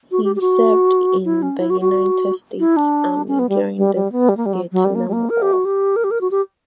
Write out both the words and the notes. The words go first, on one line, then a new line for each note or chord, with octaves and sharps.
He served in the United States Army during the Vietnam War.
F#4
G4
G4
F#4
E4
C#4
E4
F#4
F#4
E4
D4
C#4
B3
G3
G3
G3
B3
G3
A#3
G3
F#3
F#3
G3
A#3
G3
A#3
A#4
G4
F#4
G4
A#4
G4
A#4
F#4
G4